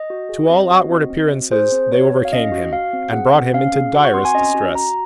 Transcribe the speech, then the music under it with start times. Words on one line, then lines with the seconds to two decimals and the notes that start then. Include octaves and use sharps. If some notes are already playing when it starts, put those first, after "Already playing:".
To all outward appearances they overcame Him and brought Him into direst distress.
Already playing: D#5
0.10 F#4
0.29 G#4
0.50 C4
0.71 F#4
0.90 C4
1.10 C4
1.32 F#4
1.52 G#4 C5
1.72 C4
1.92 F#4 C#5
2.12 C4
2.25 F5
2.32 C#4 D#5
2.52 F#4
2.72 F#4 F5
2.93 C4
3.13 G#4 F#5
3.33 C4
3.53 C#4 F5
3.74 G#4
3.94 F#4 F#5
4.05 C#6
4.14 C4 C6
4.25 G#5
4.34 C#4 D#5
4.55 F#4
4.75 F#4 A#5